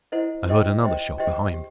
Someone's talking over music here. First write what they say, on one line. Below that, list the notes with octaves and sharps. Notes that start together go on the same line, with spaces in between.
I heard another shot behind me.
E4 A4 C5 D#5 F#5
G4 C5 D#5 G5
G4 C5 D#5 G5
G4 C5 D#5 G5
G4